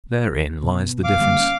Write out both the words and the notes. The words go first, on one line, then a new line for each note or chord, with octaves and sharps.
Therein lies the difference.
B2
F5 D6
D3 G3 A#3
C#4